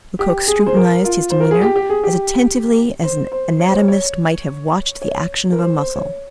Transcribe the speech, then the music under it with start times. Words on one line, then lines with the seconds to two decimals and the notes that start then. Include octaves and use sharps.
Lecoq scrutinized his demeanor as attentively as an anatomist might have watched the action of a muscle.
0.19 G4
0.48 G#4
0.66 C5
0.76 A#4
1.05 F4
1.30 C5
1.40 A#4
1.51 G#4
1.61 G4
1.76 G4
1.89 G#4
2.04 G4
3.03 C5
3.32 C5
3.60 C#5
3.68 C5
3.76 C#5
3.88 C#5
5.02 C#5
5.52 A#4
5.58 C5
5.77 C5
5.96 C#5